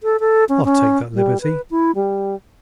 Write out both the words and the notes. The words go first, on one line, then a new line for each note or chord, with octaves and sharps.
"I'll take that liberty."
A4
A4
C#4
C#4
G3
B4
E4
G3